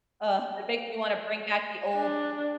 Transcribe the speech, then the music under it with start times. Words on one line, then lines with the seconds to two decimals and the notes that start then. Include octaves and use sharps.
Uh, it makes me wanna bring back the old
1.96 D4